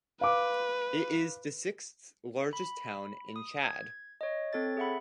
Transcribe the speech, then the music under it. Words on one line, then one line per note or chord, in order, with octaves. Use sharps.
It is the sixth largest town in Chad.
B4 F5 D6
B5
D#6
G#6
C#5 D#5
C4 A4 C#5 A6
G#4 E5 F#5 B5